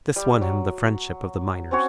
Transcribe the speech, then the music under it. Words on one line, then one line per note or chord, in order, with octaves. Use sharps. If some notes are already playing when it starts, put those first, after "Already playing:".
This won him the friendship of the miners.
G3
F#3
C4 C#4 F#4 C#5